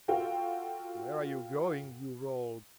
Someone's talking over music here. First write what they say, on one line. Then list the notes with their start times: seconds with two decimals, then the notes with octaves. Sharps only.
"Where are you going, you rogue?"
0.08 F4 F#4 A4 F5 G5